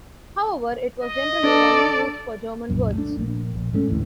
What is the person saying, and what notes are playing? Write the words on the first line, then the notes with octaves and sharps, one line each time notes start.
However, it was generally only used for German words.
D#5
D4 A4 D5
C2 F#2 A#2
A3 D4
A#1 A#3
A#1
G#2 G#3 A3 C#4
A1 D2 A2 E3